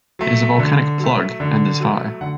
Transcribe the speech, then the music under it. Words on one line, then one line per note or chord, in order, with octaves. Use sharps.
It is a volcanic plug and is high.
F#3 A3
D3
F#3 A3
D3
F#3 A3
D3 F#5